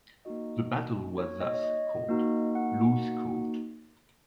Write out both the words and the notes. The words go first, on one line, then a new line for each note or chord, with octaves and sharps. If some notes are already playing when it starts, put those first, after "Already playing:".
The battle was thus called "Lose-coat".
A#3 D#4 F#4 D#5
C#5
D#5
C#5
D#5
A#3 D#4 F#4
F#5